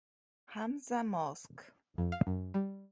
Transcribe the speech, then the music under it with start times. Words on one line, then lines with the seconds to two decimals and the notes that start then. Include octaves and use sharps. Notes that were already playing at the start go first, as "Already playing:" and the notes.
Hamza Mosque.
1.98 F2
2.12 F5
2.27 F#2
2.54 G3